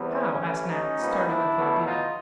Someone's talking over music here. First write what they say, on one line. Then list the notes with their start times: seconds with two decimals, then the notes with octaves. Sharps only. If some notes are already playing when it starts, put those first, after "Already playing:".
"How?" asked Nat, startled at the idea.
Already playing: E2 C3 E3 G3 B3
0.11 C#4
0.41 A1 A2 E3
0.69 C#4 D#4
0.98 A#1 A#2 G3 B3
1.26 D4 E4
1.55 E2 B2 F#3 A3
1.83 D#4 F4